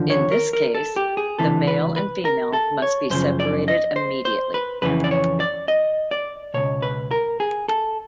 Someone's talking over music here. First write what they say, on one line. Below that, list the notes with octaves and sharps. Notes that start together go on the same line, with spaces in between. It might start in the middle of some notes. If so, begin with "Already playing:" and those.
In this case, the male and female must be separated immediately.
Already playing: D#2 D3 F3
C#5
A#4
A#4
A4
G4
G#4
C#2 C3 E3 A4
B4
B4
A#4
A4
C#5
F#2 C#3 F3 C5
D5
D#5
C5
C5
B4
F2 C#3 E3 B4
D5
C#5
D5
D#5
D5
C#2 B2 C#5
B4
A#4
G#4
A4